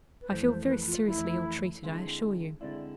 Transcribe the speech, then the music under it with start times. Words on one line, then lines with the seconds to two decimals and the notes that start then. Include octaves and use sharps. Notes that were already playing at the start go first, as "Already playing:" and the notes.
I feel very seriously ill-treated, I assure you.
0.22 B4
0.29 F2 E3 A3 C5
0.48 C5
0.68 B4
0.87 F4
1.06 F2 E3 A3 E4
1.84 D3 G#3 C4 E4
2.61 D3 G#3 C4 E4 D5